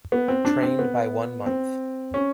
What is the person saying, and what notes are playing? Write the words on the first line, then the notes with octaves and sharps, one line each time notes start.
Trained by one month.
B3
C4
D4
C4
B3
C4
C#4